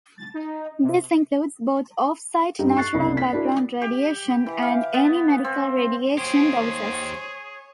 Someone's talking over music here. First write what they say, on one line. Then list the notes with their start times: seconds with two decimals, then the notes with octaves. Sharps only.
This includes both offsite "natural background radiation" and any medical radiation doses.
0.18 A6
0.34 D#4
0.83 C3
2.59 G2 G3 D#4 G4
2.77 C#6 F#6 A6 C7
2.94 F#1 C2 D4 E4
3.17 B6
3.33 D4 E4 F#4 A#4
3.82 G4
4.46 E3
4.62 F5
4.94 B3
5.44 C4
6.18 D#2 G4 G#4 C5 C#5